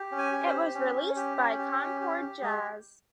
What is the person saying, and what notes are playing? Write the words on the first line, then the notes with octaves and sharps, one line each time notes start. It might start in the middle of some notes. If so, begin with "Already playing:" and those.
It was released by Concord Jazz.
Already playing: G4
C#4
G#5
G4
C5
G4
C#4
C#4
G4
C#4
G4
C#4
G4
G4
G#3 G#4